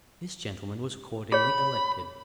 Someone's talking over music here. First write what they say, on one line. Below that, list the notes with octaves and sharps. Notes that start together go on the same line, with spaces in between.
This gentleman was accordingly elected.
G#4 C#5 B5